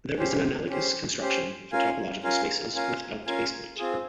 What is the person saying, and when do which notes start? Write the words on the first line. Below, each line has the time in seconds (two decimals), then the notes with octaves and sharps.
There is an analogous construction for topological spaces without basepoint.
0.17 C#4 G4 C5
0.69 C#4 G4 C5
1.20 C#4 G4 C5
1.72 C#4 F4 A#4 F5 G#5
2.23 C#4 F4 A#4 F5 G#5
2.75 C#4 F4 A#4 F5 G#5
3.26 C#4 F4 A#4 F5 G#5
3.78 C4 F4 G#4